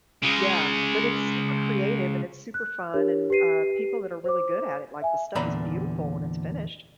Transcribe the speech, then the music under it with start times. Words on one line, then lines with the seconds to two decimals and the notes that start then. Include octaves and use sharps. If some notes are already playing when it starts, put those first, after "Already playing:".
Yeah, but it's super creative and it's super fun and, uh, people that are really good at it, like, the stuff is beautiful when it's finished.
0.23 C#3 G#3
2.54 F#6
2.94 D4 G4 A#4 C#5
3.30 G4 B4 C7 D#7
4.24 C5 D6
5.02 E5 G#5
5.35 E2 A#2 D3 D5 A#5 B5